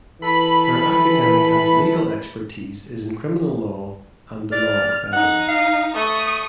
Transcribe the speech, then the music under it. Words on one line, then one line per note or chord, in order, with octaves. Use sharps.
Her academic and legal expertise is in criminal law and the law of evidence.
E3 A4 B4 B5
D5 F6
D#4 F#5
F5
A3 C#6 D#6